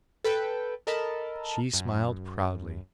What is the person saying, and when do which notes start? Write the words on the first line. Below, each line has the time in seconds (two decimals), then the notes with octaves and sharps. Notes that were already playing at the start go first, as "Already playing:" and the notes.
She smiled proudly.
0.24 A4 B4 G5
0.87 A4 A#4 D#5 A5 B5
1.73 F#2